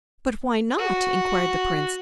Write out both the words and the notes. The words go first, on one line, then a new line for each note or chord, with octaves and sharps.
"But why not?" inquired the prince.
F#4